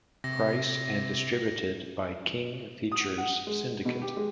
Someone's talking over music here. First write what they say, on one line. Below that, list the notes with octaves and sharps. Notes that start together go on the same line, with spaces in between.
Price and distributed by King Features Syndicate.
C3 A#6
D#6
F#5
G#3
B2
G4
G#3